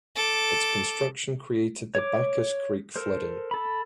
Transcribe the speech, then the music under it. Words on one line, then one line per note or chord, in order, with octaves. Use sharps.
Its construction created the Backus Creek Flooding.
A4 D6
C#5 D6
A4 A#4 C5
A4 B5